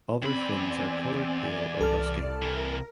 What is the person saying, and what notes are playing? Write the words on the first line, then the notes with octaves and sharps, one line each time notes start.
Other fins are colored pale or dusky.
E2 C4 D5 G#5 B5
C2 A4 D5 A5 F6
C3 E3 A#4